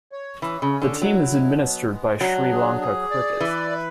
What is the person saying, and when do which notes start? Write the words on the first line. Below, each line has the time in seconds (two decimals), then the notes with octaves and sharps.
The team is administered by Sri Lanka Cricket.
0.12 C#5
0.42 E3 C#4
0.62 C#3
0.71 C#4
0.82 D3
1.01 F#3 E4
1.32 B2
1.62 B3
1.91 G#3
2.20 F#3 D4
2.51 G#4
2.81 G#4
3.10 D5
3.40 E3 B4
3.70 B4